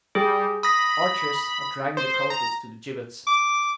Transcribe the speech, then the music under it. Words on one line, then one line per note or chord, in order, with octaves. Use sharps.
The archers are dragging the culprits to the gibbets.
G3 G#4
B5 D#6 A#6
C5
A#5
D6